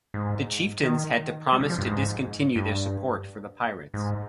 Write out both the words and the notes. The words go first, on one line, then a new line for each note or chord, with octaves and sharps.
The chieftains had to promise to discontinue their support for the pirates.
G#2
D#3
G3
C#3
F3
G2
G#2
G2
G#2